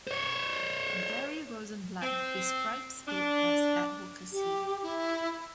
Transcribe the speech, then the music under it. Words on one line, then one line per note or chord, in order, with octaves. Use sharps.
Gary Rosenblatt describes it as "advocacy".
C5 C#5
C4
D4
G4
E4